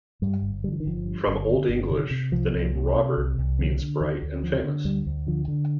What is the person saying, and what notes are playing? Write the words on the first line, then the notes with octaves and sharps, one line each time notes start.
From old English, the name "Robert" means bright and famous.
G2 G3
G1
D3 G3
F3
D#3
G1 F3
G2
G1
D3
G1
C3 D#3
C3
C2 F3
C2
C3
C3
C2
C2
D3 F3
D3
D2 D#3
D2
D3 F3
D3
D2 G3
D2
D3 F3
D3